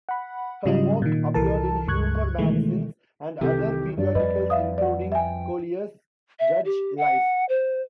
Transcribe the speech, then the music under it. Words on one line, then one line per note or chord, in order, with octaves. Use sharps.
Her work appeared in humor magazines and other periodicals, including "Collier's", "Judge", "Life".
F#5 B5
G#2 C#3 F#3 G3 F4 D#5
A#2 D#3
C2 E3 A4 A#4 A5
C#2 G2 C#6 F#6 G#6
B2 D#3 E3 G#3 A3
C2 D#3 E3 G4 A4
G2 D5
F2 G3 B4 D#5
E5 F5 D#6
D5 F#5
E5 G5 G#5
E5
G4
F#5
C5